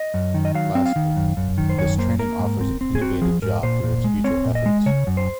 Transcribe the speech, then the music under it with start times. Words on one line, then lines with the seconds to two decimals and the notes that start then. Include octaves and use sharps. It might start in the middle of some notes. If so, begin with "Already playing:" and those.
Lastly, this training offers an innovative job through its future efforts.
Already playing: D#5
0.14 F#2
0.34 D#3
0.45 D#5
0.55 F#3 F5
0.75 C4
0.86 F5
0.96 D#3
1.16 F#2
1.37 F#2
1.58 D#3
1.70 C5
1.78 F#2 C#5
1.98 A#3 C5
2.19 A#3 A#4
2.39 G#2
2.61 C4
2.81 C4
2.95 G#4
3.01 C4 F#4
3.21 F3 G#4
3.42 G#2 A#4
3.63 A#2 C5
3.84 A#2
4.04 G#3
4.24 C4 C#5
4.45 A#2
4.55 D#5
4.66 G#3
4.86 C#3 C#5
5.07 F#2
5.17 C5